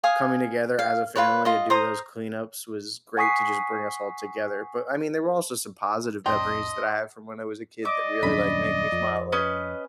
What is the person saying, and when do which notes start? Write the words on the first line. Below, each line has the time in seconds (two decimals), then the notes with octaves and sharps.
coming together as a family to do those cleanups was great to just bring us all together, but I mean, there were also some positive memories that I have from when I was a kid, that really like make me smile. Like
0.04 F5 G#5 D#6
0.79 F5
1.16 F4 B4 C#5
1.45 F4 D#5
1.70 C5 A#5 D#6
3.17 F#5 G#5 C#6 D#6 B6 C7
6.26 C2 F2 A2 D4 C5 D#5 G5 C6
7.85 D5 D#5 D6
8.23 D#1 F#2 D4 B5
8.92 F2
9.32 C#4 B4 D#5